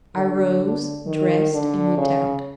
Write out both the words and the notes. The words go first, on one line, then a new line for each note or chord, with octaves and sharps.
I rose, dressed, and went out.
D3
D#3
D3
C#3